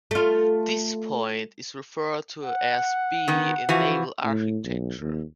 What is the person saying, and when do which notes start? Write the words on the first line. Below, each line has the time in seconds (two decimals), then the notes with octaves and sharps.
This point is referred to as B in naval architecture.
0.11 A3 F4
2.45 F#5
3.28 D#3 B3
3.69 E3 F3 F#4
4.25 A2
4.65 B1
5.00 D#2